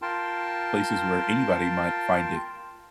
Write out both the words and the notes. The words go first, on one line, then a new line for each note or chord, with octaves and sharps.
places where anybody might find it,
F4 A#4 G5 A5 C6